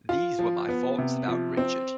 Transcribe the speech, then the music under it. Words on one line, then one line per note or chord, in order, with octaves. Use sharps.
These were my thoughts about Richard.
F4
F3
B3
C3
F3
C4